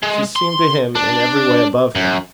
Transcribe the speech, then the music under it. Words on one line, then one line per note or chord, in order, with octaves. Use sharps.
She seemed to him in every way above him.
G#3
C6
D4
F#2